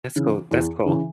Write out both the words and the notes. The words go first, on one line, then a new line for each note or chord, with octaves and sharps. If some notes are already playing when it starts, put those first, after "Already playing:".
That's cool, that's cool.
C#3 E3
E2
C#3 E3